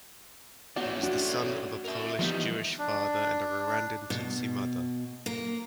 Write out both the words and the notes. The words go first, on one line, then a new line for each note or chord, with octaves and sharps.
He was the son of a Polish Jewish father and a Rwandan Tutsi mother.
A3 B3 C#4 F#4 D5
D4 F#4
A#4 E5
E3 F3 G3 B3 D#4
D4
B2
A#3